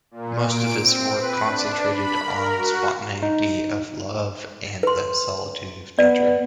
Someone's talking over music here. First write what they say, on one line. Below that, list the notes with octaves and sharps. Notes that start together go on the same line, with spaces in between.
Most of his work concentrated on spontaneity of love and the solitude of nature.
A#2
D7
C4
B4
D4
B5
A#4
F#4
D#4
B4 C6
B3 D5